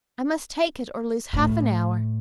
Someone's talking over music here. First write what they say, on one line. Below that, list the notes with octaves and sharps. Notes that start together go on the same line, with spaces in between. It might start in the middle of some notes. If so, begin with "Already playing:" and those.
I must take it or lose half an hour.
A2